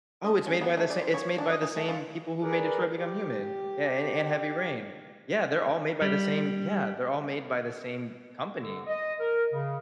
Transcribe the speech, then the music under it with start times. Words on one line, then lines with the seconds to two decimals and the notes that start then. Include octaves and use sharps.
Oh, it's made by the sa it's made by the same people who made Detroit: Become Human. Yeah, and and Heavy Rain. Yeah, they're all made by the same Yeah, they're all made by the same company.
0.24 D#5
0.47 C#4
0.61 B3
0.77 A3
0.90 D5
1.02 C5
1.14 C#5
1.38 D4
1.50 D#5
1.62 D#4
1.76 A3
1.89 F4
2.42 G#4 A#4 B4 D5
2.97 G4
6.02 G3
8.59 D3
8.87 D#5
9.20 A#4
9.53 C#3